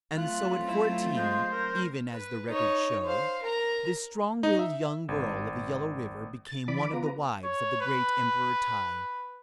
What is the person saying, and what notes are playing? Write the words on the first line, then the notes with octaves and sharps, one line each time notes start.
And so at fourteen, even as the records show, this strong-willed young girl of the Yellow River became one of the wives of the great Emperor Tai.
F#3 A3 C4 F4 F#6
E4
G#3 C5 C6
A#4
B4
D#4 C#5
C5 F5
A#4 A#5
D#4
E5
G#1
A6
E3 D5 B5 D6
B3 F4 B4 A#5
C#5
B4